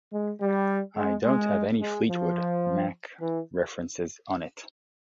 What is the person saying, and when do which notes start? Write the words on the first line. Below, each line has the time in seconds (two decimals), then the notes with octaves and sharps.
I don't have any Fleetwood Mac references on it.
0.12 G#3
0.41 G3
0.96 G#3
1.25 G#3
1.80 G#3
2.09 F3
3.21 E3